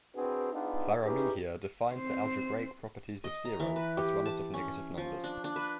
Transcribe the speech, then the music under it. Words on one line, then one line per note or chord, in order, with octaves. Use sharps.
Varahmihir defined the algebraic properties of zero as well as of negative numbers.
C4 D4 F#4 G#4 B4
B3 D4 D#4 F4 G#4
C#4 D#4 E4 G4 G#4 B4
C4 C5
D#5
A#5
E3
B4
G4
A5
C#4
F3
D4
D4
B4